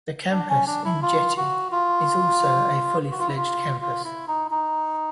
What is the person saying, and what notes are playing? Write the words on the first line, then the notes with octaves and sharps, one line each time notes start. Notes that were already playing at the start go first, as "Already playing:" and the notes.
The campus in Jette is also a fully-fledged campus.
D4
C#4
D4
E4
F4
F#4
F4
F#4
F4
E4
F4
F4
E4
D#4
D#4